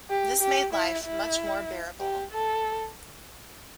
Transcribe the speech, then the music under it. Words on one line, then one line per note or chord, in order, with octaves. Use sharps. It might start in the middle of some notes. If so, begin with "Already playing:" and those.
This made life much more bearable.
G4
G4
E4
E4
G4
A4